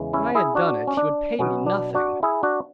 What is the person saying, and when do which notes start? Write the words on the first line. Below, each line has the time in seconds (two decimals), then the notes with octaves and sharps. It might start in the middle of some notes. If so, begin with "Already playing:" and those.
When I had done it, he would pay me nothing.
Already playing: E2 C#3 E3 G#3
0.13 C#4 E4
0.35 E4 G#4
0.55 D4 F#4
0.87 C#4
0.97 D4
1.39 B2 F#3 B3 C#4
1.66 D4
1.94 D4 F#4
2.23 E4 G#4
2.43 D4 F#4